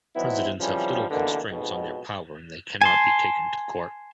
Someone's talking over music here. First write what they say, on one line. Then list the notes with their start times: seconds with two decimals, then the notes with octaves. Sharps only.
Presidents have little constraints on their power and they cannot be taken to court.
0.15 E3 F#3 B3 C4 D#4 E4
0.59 C#3 E3 F3 G3 C4 C#4
1.10 G#2 B2 D3 E3 A#3 A#4
1.50 B1 F2 G#2 B2
2.81 G#5 A5 C6